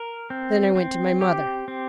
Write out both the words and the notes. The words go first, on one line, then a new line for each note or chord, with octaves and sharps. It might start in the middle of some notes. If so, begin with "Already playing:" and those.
Then I went to my mother.
Already playing: A#4
C4
C4
G4
C4